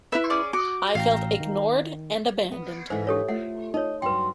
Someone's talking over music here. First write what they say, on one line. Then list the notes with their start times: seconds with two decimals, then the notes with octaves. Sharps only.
I felt ignored and abandoned.
0.12 E4 B4 E5 F#6
0.30 C#4 G#4 D5
0.53 F#4 D6
0.95 A1 F5 G5 A#5
1.40 D#3
2.52 B3
2.90 G#2 E3 A4 C5
3.07 D4 G4 A4 C#5
3.28 A3 F4 F#5
3.74 D#4 C#5 D#5
4.02 G2 F#3 B4 G5 C6